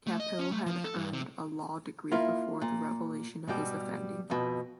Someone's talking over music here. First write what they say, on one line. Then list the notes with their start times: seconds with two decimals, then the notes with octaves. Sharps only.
Capill had earned a law degree before the revelation of his offending.
0.07 A3
0.20 D#5
0.39 C#4
0.52 A3
0.66 F3
0.84 A4
0.96 G2
1.13 C3
2.12 A#3 E4 F4
2.62 A#2
3.48 G#2 B2 G3 G4
4.30 F2 B2